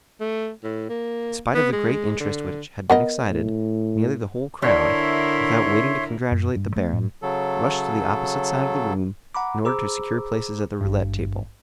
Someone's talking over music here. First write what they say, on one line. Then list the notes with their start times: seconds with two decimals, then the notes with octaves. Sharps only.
In spite of the great interest which had been excited, nearly the whole crowd, without waiting to congratulate the baron, rushed to the opposite side of the room in order to secure places at the roulette table.
0.20 A3
0.63 A2
0.89 A#3
1.54 B3
1.72 G#3
2.20 D3
2.90 B3 A#4 D#5
3.29 A2
4.62 D3 D4 E4 A#4 C#5 E5 C6
6.31 F#2
6.56 G2
6.76 A3
6.93 A2
7.22 C#3 F#3 A4
9.35 F#5 A#5 B5 D6
9.65 G#4 C5 A#5 B5 D6 E6
10.81 G#1 G2